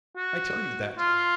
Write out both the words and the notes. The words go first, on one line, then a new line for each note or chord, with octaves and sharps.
I tell you that.
F#4
F4